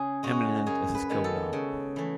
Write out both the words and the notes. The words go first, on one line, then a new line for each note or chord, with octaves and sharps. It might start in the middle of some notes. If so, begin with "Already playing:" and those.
Eminent as a Scholar.
Already playing: C#3 G#4
G#3 C#4 F#4
F#2 G#4
B4
D#3 G#3 B3
A4
C#3
E3 A3